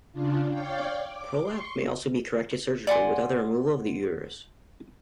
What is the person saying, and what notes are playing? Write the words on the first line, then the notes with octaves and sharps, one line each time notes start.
Prolapse may also be corrected surgically without removal of the uterus.
C#3 D4 F4
C#5 D5 F5 G5
D6
C6 C#6 C#7
D5 F#5 G#5 C6